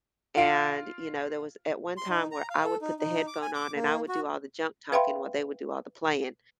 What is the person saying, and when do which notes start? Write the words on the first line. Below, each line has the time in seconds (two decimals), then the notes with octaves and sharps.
and, you know, there was at one time where I would put the headphone on and I would do all the junk-talking while they would do all the playing,
0.37 F4 F5 D7
1.97 C6
2.09 D#4
2.31 A#5
2.50 F5
2.65 A4
2.82 D#4
3.00 D#4
3.27 D6
3.42 G#5
3.54 D6
3.76 A#3
4.09 F#4
4.92 B4 E5 F5 G5 B5 C6